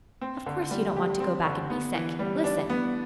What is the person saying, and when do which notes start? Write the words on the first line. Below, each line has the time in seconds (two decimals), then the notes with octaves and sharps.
Of course you don't want to go back an' be sick! Listen!
0.21 C4
0.46 D3
0.71 G3
0.96 G4
1.20 C4
1.45 D3
1.70 B3
1.95 E3
2.19 G3
2.44 D4
2.70 B3